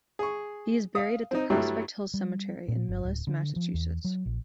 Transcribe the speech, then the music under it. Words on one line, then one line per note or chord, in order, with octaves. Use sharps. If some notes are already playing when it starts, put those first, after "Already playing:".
He is buried at the Prospect Hill Cemetery in Millis, Massachusetts.
G#4 C#6
F5 D#6
C4 D#4
G2 F#3 G3 A3 E4
G3
A#2
G1
D1
D3
F3
E2
F#3
A#1